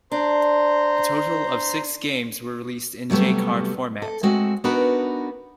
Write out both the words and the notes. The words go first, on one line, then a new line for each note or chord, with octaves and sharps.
A total of six games were released in J-Cart format.
D4 C5 A#5 C6
C3 F#3 G3 A3 B3
A4
G#3 A3 C4 F#4
B3 D4 D#4 F#4 A#4 B4